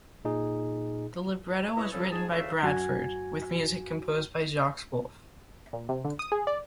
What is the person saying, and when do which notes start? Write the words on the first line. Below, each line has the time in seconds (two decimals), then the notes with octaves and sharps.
The libretto was written by Bradford, with music composed by Jacques Wolfe.
0.25 A#2 D#4 G#4
1.76 E4 B4 C#5 D#5 E5
1.91 C#3 F3 G3 G#4 A4
2.11 G#2 G#4 A5
2.29 D2 C#3 E3 A3 E5 F5
2.63 F#2 F#4 G#5 G#6
5.73 A#2
5.89 C3
6.05 D3
6.19 D#6
6.32 G#4
6.47 D5